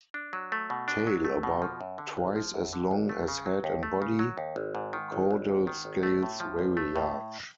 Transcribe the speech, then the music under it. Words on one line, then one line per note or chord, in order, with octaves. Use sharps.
Tail about twice as long as head and body; caudal scales very large.
D4
F#3
A3
B2
D4
F#3
A3
B2
F3
F#2
D3
G#1
F3
F#2
D3
G#1
A3
C#3
F#3
D#2
A3
C#3
F#3
D#2
G#1
G#2
D#3
G#1
G#1
G#2
D#3
G#1
A3
A2
F3
A1
A3
A2